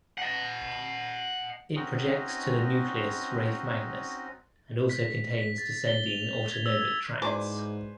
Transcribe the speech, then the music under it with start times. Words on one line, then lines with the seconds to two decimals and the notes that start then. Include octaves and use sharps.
It projects to the nucleus raphe magnus, and also contains descending autonomic tracts.
0.18 D#5 F#5
1.76 C4 C#4 D#4 F#4 D#5
4.89 B6
5.38 B6
5.58 A6
5.87 G7
6.06 F7
6.53 G#6
6.66 E6
6.81 G#6
7.22 G#2 E4 F#4 B4 C5 D5 G#5 D6